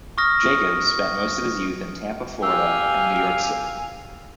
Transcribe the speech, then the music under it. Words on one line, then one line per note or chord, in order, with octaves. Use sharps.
Jacobs spent most of his youth in Tampa, Florida and New York City.
C#6 D#6 F6 A#6
G4 F5 G#5 E6